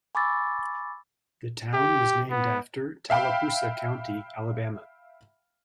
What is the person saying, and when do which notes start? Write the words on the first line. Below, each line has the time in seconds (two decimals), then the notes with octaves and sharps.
The town was named after Tallapoosa County, Alabama.
0.15 G#5 B5 C#6 D6 E6 A6
1.74 G4
2.31 B3
3.10 E5 F5 G5 B5